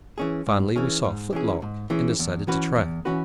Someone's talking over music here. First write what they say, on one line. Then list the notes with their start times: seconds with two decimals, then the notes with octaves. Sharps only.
Finally we saw a foot-log, and decided to try it.
0.18 E3 C#4 G#4
0.47 G#2
0.76 E3 C#4 G#4
1.04 G#2
1.33 E3 C#4 G#4
1.62 G#2
1.90 E3 C#4 G#4
2.19 E2
2.47 E3 C#4 F#4 B4
2.76 E2
3.05 E3 C#4 F#4 B4